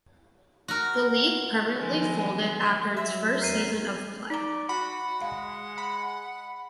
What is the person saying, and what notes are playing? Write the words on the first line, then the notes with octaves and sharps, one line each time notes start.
The league permanently folded after its first season of play.
F#4 A#4
D3 D#3 F3 F#3 G#3 B3
F#3 E5
E2 A#4 F6 C7 D#7
D#4 D5 A#5
F#4 F#5 B5
G#3 F5
B5